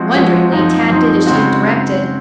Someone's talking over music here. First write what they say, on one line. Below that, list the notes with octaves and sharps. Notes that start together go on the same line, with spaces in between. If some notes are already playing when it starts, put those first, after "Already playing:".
Wonderingly, Tad did as she had directed.
Already playing: F3 G#3 C4 F#4
F3 G#3 C4 F#4
F#2 F3 C4 D#4
F#2 F3 C4 D#4
C#3 G#3 C4 F#4